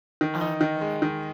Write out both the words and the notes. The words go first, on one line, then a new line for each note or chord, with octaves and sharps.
Ah, okay.
D#3
D#4
D#3
G#3
D#3